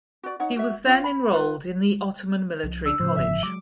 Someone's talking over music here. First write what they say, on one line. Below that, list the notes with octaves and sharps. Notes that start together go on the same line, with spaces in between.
He was then enrolled in the Ottoman Military College.
F#4 D5
D#4 C#5 F#5
F#4 E5
C#4 F4
B5
F4 B4
C2 F3
D4 E6
A2 C#3 F3 C5
F#1 G#2 D3 E5
F#3 G#3 D6